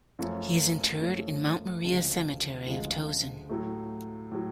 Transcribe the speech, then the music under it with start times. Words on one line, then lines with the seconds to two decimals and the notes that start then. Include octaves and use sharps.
He is interred in Mount Maria Cemetery of Towson.
0.19 F#2 F3 A3 C#4
1.01 F#2 F3 A3 C#4
1.84 D2 C#3 F3 G#3
2.66 D2 C#3 F3 G#3
3.49 A2 F#3 A3
4.32 A2 F#3